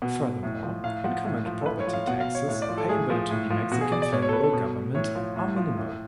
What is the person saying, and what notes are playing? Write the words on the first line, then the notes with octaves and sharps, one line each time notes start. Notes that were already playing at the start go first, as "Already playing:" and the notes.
Furthermore, income and property taxes payable to the Mexican Federal Government are minimal.
B2 F#5
A2
F3
A2 F5
F3 F#5
A2
F3
A4
A2 B4
C#5
F3
F5
B2 F#5
F5
C#5
A2 C#5
D5
F3
A4
A2 G#4
F3
A2
F3
B2 F#4
G#4
D5
D5
B2 C#5
C#5
A4
B4
A4
B2
A2 C#5
F3
A2
F3
A2